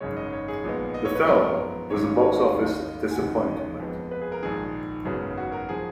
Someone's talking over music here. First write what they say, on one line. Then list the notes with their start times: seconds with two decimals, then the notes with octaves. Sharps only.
The film was a box office disappointment.
0.01 G#1 F#2 C#3 G#3 C#5
0.16 D#5
0.33 C#5
0.48 G#4
0.64 A#1 A#2 G#3 B3
0.94 D#5
1.05 C#5
1.15 B4
1.26 F#2 F3 G#3 B3 A#4
1.90 G#1 G#2 D#3 G#3 C#4 C#5
2.05 F5
2.21 C#5
2.37 D#5
2.53 D#2 D#3 F#3 F5
2.64 D#5
2.68 F5
2.84 D#5
3.11 G#5
3.16 F1 D#2 C#3 F3 G#3 F#5
3.32 D#5
3.47 D#5
3.80 F2 F3 G#3 B3
4.11 B4
4.21 G#4
4.32 A#4
4.42 A#1 G#2 D#3 G#4
5.05 G#1 F#2 C#3 F#3 B3
5.38 F#4
5.52 A#4
5.69 F3 G#4